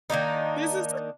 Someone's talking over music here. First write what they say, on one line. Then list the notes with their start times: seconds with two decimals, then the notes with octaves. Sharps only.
This is
0.10 D#3 A#3 D4 D#4